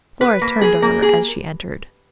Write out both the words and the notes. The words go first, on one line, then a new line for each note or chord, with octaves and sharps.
Flora turned to her as she entered.
B4
A#3
G#4
A#3
G#4